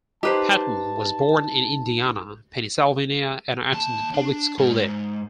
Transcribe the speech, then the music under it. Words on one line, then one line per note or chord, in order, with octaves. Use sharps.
Patton was born in Indiana, Pennsylvania and attended public school there.
D#4 G4 B4 C5 A5
D#2 A5
D4
G#2